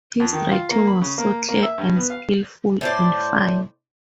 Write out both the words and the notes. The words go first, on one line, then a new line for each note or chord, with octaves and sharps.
His writing was so clear, and skillful, and fine.
F2
D#3
F4
A#3
B5
C#3
A#3
A#3
E5
G2
B3
F5
A2 C5 D5